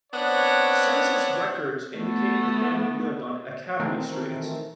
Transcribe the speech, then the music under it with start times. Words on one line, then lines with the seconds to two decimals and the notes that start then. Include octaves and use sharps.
Census records indicate the family lived on Academy Street.
0.13 B3 C4 D4 C#5
1.97 A3 B3
3.79 D#3 E3 A3 C4 A#4